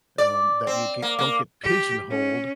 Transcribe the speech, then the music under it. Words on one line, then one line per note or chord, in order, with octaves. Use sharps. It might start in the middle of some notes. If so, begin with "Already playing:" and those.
um, that you get don't get pigeonholed
D5
C4
A#3
A#3
G4
C#4